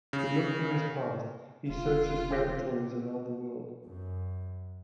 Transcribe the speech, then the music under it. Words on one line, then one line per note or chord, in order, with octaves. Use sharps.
To look for his past, he searches lavatories around the world.
C#3
E1 F4
C4 G4
F#2